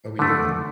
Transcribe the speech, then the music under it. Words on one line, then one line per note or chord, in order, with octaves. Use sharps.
Oh, yeah.
D3 A3